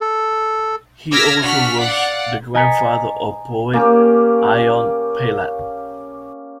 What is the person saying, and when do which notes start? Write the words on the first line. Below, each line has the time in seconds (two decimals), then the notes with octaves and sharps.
He also was the grandfather of poet Ion Pillat.
0.01 A4
1.11 D6 E6 F6 G#6 A#6 B6
1.41 D4 F#4 F6 B6
1.80 D5 F5 F#5
2.55 D#5 G#5 A#5 A6 B6 C#7
3.73 A#3 C#4 G4